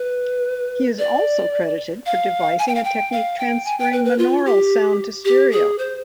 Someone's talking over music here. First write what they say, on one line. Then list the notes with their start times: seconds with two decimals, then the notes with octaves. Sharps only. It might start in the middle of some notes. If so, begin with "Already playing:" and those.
He is also credited for devising a technique transferring monaural sound to stereo.
Already playing: B4
0.99 D5
2.06 F5
2.59 G#5
2.68 G5
2.75 F5
2.84 G5
3.12 F5
3.39 G5
3.65 G#5
3.79 G5
3.93 B4
4.05 B4
4.18 F4
4.46 G4
5.25 G4
5.52 G#4
5.78 C5